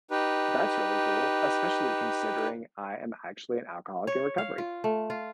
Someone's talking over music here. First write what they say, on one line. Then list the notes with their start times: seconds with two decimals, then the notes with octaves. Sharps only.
that's really cool, especially considering I am actually an alcoholic in recovery.
0.11 D#4 G4 B4
4.07 C#5
4.38 F5
4.58 F4
4.84 A3
5.10 F4